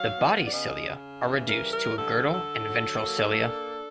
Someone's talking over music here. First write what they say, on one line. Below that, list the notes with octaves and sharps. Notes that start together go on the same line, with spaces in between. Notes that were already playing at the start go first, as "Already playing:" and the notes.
The body cilia are reduced to a girdle and ventral cilia.
Already playing: F#3 F5
B3
D5
C#3 D#5
C#3
E3
A#4
G3
A#4
D3 A4
D3 A4
F#3
A#3
D4